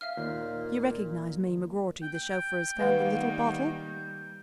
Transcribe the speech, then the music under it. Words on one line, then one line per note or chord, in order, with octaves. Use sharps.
"You recognize me, McGroarty, the chauffeur as found the little bottle?"
E5 F5 F6
D#2 A#2
G5
D#3 G3 A#3 B4 F5 F#5